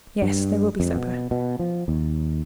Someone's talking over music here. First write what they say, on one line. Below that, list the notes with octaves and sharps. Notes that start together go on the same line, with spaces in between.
"Yes, there will be supper."
G2
F2
B2
B2
F3
D#2